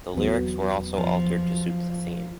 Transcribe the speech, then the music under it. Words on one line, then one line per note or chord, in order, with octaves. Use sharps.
The lyrics were also altered to suit the theme.
E2 F#3 B3
F3